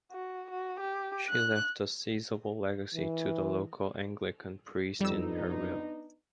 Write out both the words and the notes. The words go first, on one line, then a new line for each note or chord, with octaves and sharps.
She left a sizeable legacy to the local Anglican priest in her will.
F#4
F#4
G4
F#6
E3
F2 G3 B3 D4 D#4 E6